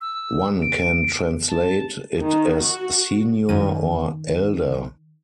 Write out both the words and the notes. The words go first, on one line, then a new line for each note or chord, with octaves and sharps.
One can translate it as "senior" or "elder".
E6
D7
A5
D#3
F#4
F#2 D#3 D#7